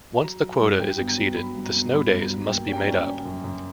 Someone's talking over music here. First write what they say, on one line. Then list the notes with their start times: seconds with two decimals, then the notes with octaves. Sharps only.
Once the quota is exceeded, the snow days must be made up.
0.23 F#3 A#5
0.41 F#3
0.61 G2
0.79 G2 G5
0.98 B3 G5
1.08 A#5
1.18 F#3
1.36 F#3 B5
1.55 G2
1.65 A#5
1.74 B3
1.93 G2 B5
2.12 G2
2.21 A#5
2.30 F#3
2.49 A#3 G5
2.68 C#4 G5
2.78 A#5
2.87 C#4
3.06 C#4
3.25 F#2
3.44 F#2